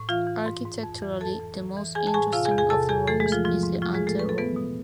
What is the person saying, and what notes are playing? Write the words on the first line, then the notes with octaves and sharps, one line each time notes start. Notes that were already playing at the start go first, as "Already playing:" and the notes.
Architecturally, the most interesting of the rooms is the ante room.
Already playing: A2
E3 F4 F5
E3
G#2
G#2
F2
E3
F2 A4 A5
E3
E3
E3
E3 G#4 G#5
A5
A2 G#4 G#5
C3 F4 F5
G#4 G#5
E2
G#4 G#5
C3 A4 A5
E2 G#4 G#5
E3 A3 A4
G#3 G#4
E3
F3 F4
G#2 F3 F4
G#2
A2 F3 F4
G#3 G#4
E3
A3 A4
A2 B4
A4
E3 B3 B4
B2